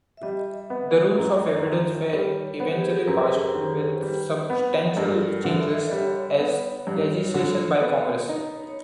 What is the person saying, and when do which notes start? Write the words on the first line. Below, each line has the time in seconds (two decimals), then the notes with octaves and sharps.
The Rules of Evidence were eventually passed, with substantial changes, as legislation by Congress.
0.17 E5
0.23 G3 D#5
0.70 B3
1.18 F#2
1.65 D#3
2.13 G3 C#5
2.60 B3 C5
2.72 G4
2.81 G#4
2.89 A4
2.99 A#4
3.07 F#2 B4
3.55 D#3
4.02 G3
4.50 B3
4.92 A4
4.97 G2 A#4
5.21 D5
5.44 D3 E5
5.61 E5
5.68 D#5
5.92 G3 C#5
6.39 B3
6.87 G2
7.34 D3
7.81 B3
8.29 D#4
8.68 C#5